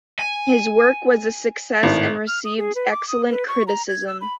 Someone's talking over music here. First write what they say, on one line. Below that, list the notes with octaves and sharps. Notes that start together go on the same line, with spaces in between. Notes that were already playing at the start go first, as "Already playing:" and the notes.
His work was a success and received excellent criticism.
G#5
G#1 A2
F6
D#6
G#4
B4
D6
D#6
B4
C#6
A#5
G#6
E6
B5